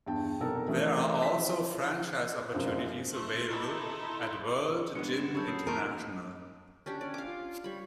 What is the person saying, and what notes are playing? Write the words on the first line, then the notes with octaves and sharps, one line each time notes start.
There are also franchise opportunities available at World Gym International.
E2 G2 G5 A5
F1 B1 D#4 A4 A#4
E3 A3 C#4 G#4 A#4
E4 E5 B6
F1 F#2 F4 A#4 C5 D#5
A3 C6 F#6
D#4 E4 A4 C6
G2 G#3 B3 C#7
E7
F#2 A4 C#5 B5 G6
B5 D#6 C7
A3 A#4 G#5 A5 C6
C#4 D4 G4
C#4 D5
F5 D6
F4
G3 C#5 B5